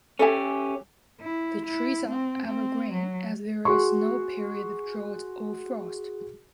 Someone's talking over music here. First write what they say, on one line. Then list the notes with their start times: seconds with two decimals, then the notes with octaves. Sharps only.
The trees are evergreen as there is no period of drought or frost.
0.19 C#4 G4 A4 E5 G#5
1.20 E4
1.66 E4
2.08 C4
2.46 C4
2.93 F#3
3.65 F#4 G#4 C6 C#6